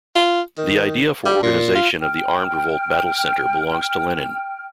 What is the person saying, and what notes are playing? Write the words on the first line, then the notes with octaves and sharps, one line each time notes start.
The idea for organization of the armed revolt battle center belongs to Lenin.
F4
D#3
G3
A#2
F4
G5 F6